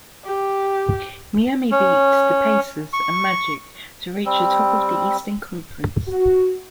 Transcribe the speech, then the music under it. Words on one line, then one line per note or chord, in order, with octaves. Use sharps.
Miami beat the Pacers and Magic to reach the top of the Eastern Conference.
G4
C#4
C#6
G3 C4
F#4